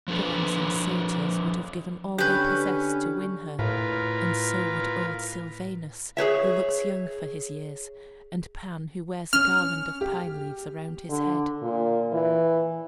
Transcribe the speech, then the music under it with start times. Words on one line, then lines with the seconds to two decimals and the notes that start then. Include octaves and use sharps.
The Fauns and Satyrs would have given all they possessed to win her, and so would old Sylvanus, who looks young for his years, and Pan, who wears a garland of pine leaves around his head.
0.08 F3 F#3 D4 A4 B4
2.18 D3 C#4 G4 B4 G6
3.59 A2 F4 A#4 B4
6.17 G#4 C5 C#5 E5
9.33 C#4 F6
10.01 G4
11.10 D3
11.62 A#2
12.13 E3